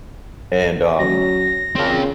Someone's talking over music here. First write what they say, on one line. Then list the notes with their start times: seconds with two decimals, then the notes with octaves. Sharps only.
And, um,
0.99 F#3 C#4 A#6
1.76 A#2 C#3 C4 A5